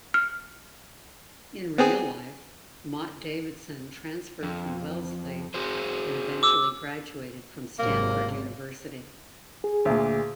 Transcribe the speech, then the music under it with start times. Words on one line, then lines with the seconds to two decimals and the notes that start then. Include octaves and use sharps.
In real life, Mott Davidson transferred from Wellesley and eventually graduated from Stanford University.
0.14 F6
1.78 B3 C4 G#4
4.43 F2
5.54 F#4 G#4 C5
6.43 D6 E6
7.79 G#1 C3 F#3 A#3
9.64 G#4
9.85 D2 A#2